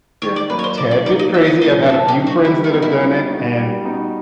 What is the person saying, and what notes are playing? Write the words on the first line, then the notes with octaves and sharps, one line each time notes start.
Yeah. Tad bit crazy. I've had a few friends that have done it, and
D#3 C#5
D5
F#3 A#3 D#4 B4
C#5
C5
D#3 D5
D5
F#3 A#3 D#4 D5
D#5
D#3 E5
D#5
F#3 A#3 D#4 D#5
D#3 A4
G4
F#3 A#3 D#4
F#4
G3 E4
E4
B3 D#4 F#4
E4
G3
B3 D#4 F#4
G3
B3 D#4 F#4